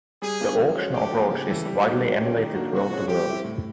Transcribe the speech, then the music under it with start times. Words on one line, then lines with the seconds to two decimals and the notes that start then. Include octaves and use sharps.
The auction approach is widely emulated throughout the world.
0.22 G3 G#4
0.40 B3 D4 F4
0.59 F3
0.75 G#3 C#4 F#4
0.93 D3 G4
1.11 F3 A#3
1.29 C#3 G4
1.47 E3 A3
1.65 G3 G4
1.83 A#3 D#4 F#4
2.01 F#3
2.19 A3 C#4
2.36 D#3
2.55 F#3 A#3 D4 F#4
2.72 C3 F#4
2.90 F3 G#3 C#4
3.08 G3 G4
3.26 C4 E4
3.44 A2